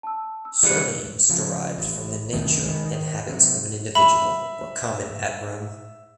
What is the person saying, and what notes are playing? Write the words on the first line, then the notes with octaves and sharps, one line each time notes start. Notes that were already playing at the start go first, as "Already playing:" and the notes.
Surnames derived from the nature and habits of an individual were common at Rome.
A5 E6
E6
G3 F4 G#4 F#6 C#7
C#3 F3
A1
C2 F#2 D#3 A3
D#3 G#3
D#3
C3 F#3
E5 B5